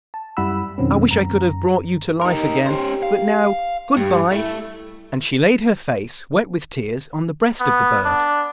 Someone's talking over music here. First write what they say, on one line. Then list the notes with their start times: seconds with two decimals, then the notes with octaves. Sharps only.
'I wish I could have brought you to life again; but now, good-bye!' And she laid her face, wet with tears, on the breast of the bird.
0.14 A5
0.37 F#2 G3 E4 F#5 B5 E6
0.78 F2 B2 D#3 F#3 C4 C#4
1.11 F#2 A#5
2.22 D#4 G4 A#4
2.66 C#4 G4 C5
3.03 F5
3.97 G2 G4
4.31 A3 E4
7.60 B3
8.05 D4